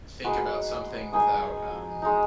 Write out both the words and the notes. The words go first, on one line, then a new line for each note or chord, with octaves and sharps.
think about something without, um,
G#3 D#4 F#4 B4
G#3 D#4 D#5 G#5
G#3 D#4